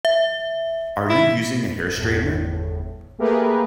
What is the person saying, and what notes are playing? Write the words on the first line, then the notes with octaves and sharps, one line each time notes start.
Are you using a hair straightener?
E5
E4
G1 E2 A2
A3 A#3 G4 G#4 A#4 B4